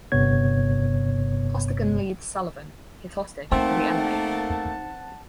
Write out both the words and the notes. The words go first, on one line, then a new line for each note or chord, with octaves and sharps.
Costigan leads Sullivan, his hostage, to the elevator.
G1 G2 C3 B3 C#5 G#6
A3 A#3 C4 D#4 F#5 A5